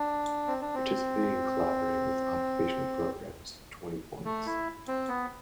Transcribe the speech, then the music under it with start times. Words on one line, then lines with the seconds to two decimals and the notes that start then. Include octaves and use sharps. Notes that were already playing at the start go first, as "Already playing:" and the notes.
Participating and collaborating with occupational programs, twenty points.
Already playing: D4
0.47 C4
0.61 D4
0.75 C4
4.25 A3
4.46 E4
4.88 C4
5.08 B3